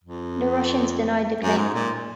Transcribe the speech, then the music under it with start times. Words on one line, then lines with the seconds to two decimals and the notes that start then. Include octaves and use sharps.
The Russians denied the claim.
0.04 F2
1.41 F#2
1.58 G#2
1.74 A#2